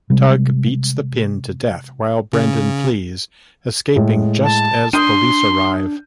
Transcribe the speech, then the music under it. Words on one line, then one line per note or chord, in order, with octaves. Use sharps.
Tug beats The Pin to death while Brendan flees, escaping just as police arrive.
C3 G3 G#3
C#3
A2 G#3
A5
D4 C6 D#6 G6 D#7